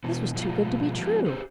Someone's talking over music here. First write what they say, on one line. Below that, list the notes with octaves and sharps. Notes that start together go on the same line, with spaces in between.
This was too good to be true.
B2 E3 B3
B2 F3 G3 A#3 F4 G#4
F3 G#3 B3 F4 G4 G#4
G4 G#4 C5